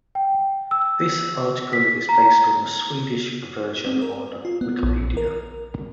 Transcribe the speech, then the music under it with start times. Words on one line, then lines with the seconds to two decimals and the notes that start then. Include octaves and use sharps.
This article is based on the Swedish version on Wikipedia.
0.15 G5
0.71 E6
1.73 B6
2.09 A#5
3.86 C4
4.02 A#4
4.45 F4
4.61 B3
4.83 A#1
5.17 A#4